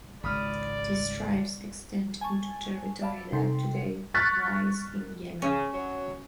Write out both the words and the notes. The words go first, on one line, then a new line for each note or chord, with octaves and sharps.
These tribes extend into territory that today lies in Yemen.
G#1 C#2 D5 B5 D#6 F6
G#5 A5 C#6
D5 E5 F5 A5 B5
C3 D#4 A4 G5 C6
C#6 F6 F#6 A6 B6
C#3 C#4
F#3 C#5